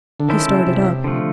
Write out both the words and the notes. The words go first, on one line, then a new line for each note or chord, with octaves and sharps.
He started up.
D3
D#3 G#3 C#4 E4 A4 C5
C#3
C3
D3 F3 A3